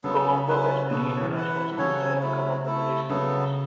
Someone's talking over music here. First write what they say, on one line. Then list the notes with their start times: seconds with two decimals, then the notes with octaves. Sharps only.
Colombo has many International Schools that have come up in the recent years.
0.04 C#3 F#3 B3 A4
0.47 F#3 C#4 E4 B4
0.91 B2 B3 F#4 A4
1.20 E3
1.34 E4 B4 F#5
1.72 E3
1.78 C#3 F#3 C#4 A4 C#5
2.22 F#3 A3 E4
2.65 A3 E4 A4
3.10 C#3 F#3 B3 A4